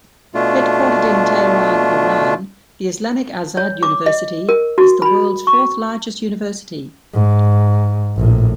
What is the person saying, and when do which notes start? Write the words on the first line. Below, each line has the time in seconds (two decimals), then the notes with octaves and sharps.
Headquartered in Tehran, Iran, the Islamic Azad University is the world's fourth-largest university.
0.34 B2 A3 D4 F4
3.57 C#5
3.83 D6
4.06 D#5
4.49 A#4
4.78 F#4
5.02 B5
5.47 C#6
7.13 G#2
8.17 A#1 A2